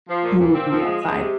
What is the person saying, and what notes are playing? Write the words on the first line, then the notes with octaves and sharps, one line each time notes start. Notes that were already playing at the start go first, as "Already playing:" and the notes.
and we can be outside.
F3
A#2
A#2
C4
F3
G#3
G#3
C3